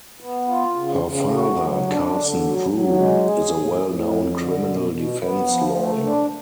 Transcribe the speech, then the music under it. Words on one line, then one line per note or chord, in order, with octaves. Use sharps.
Her father, Carson Drew, is a well-known criminal defense lawyer.
B3
F4
C#3
C#3
F#4
F#3
D4
D3
F#3
F#3
G#3
G#4
A2
A2
F2
D3
B2
B2
B3
F3
A3
D4